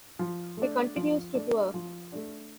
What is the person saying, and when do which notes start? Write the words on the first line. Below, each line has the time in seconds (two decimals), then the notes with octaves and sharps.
He continues to tour.
0.19 F3
0.57 A3 D4
0.96 F3
1.35 A3 D4
1.74 F3
2.12 A3 D4